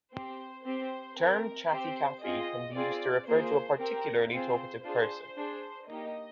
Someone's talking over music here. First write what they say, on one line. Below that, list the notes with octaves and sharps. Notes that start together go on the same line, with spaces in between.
Term "Chatty Cathy" can be used to refer to a particularly talkative person.
C4 G4 C5
C4 G4 C5
C4 G4 A#4
C4 G4 C5
C4 F4 G#4 D#5
C4 F4 G#4 D5
A#3 F4 G#4 C5
C4 G4 A#4
C4 F4 G#4 C5
D4 F4 G#4 C5
D4 G#4
A#3 D#4 G4 D#5